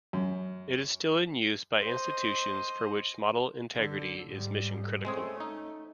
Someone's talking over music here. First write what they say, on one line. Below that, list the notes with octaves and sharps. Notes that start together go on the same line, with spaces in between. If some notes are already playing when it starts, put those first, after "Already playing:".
It is still in use by institutions for which model integrity is mission critical.
F#2
C5 D#5
D3
G#2 G3
G#3 A3 C4 C#4 G#4
D#4